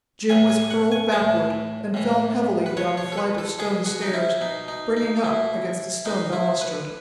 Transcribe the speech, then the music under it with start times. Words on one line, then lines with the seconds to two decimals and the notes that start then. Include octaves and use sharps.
Jim was hurled backward, and fell heavily down a flight of stone stairs, bringing up against a stone balustrade.
0.29 A2 E3 G#5
0.50 G#5
0.71 F#5
0.92 G#5
1.12 A2 E3 A5
1.94 A2 E3
2.66 B4
2.77 B2 C#5
2.97 C#5
3.12 A4
3.18 B4
3.38 A4
3.59 B2 G#4
3.86 F#4
4.02 D#4
4.14 E4
4.41 B2 D#4
4.68 D#4
4.97 D#4
5.24 B2 E4
6.05 B2 D#4
6.33 E4
6.61 B4